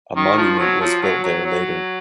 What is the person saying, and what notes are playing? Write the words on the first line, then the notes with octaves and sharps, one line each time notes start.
A monument was built there later.
D#3
F3
F#3
F3
F#3
F#3
F#3